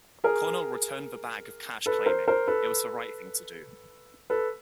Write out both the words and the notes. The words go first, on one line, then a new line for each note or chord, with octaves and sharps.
Cornell returned the bag of cash claiming, it was the right thing to do.
G#4 A#4
A4 B4
A#4 C5
A#4 C5
A4 B4
A4 B4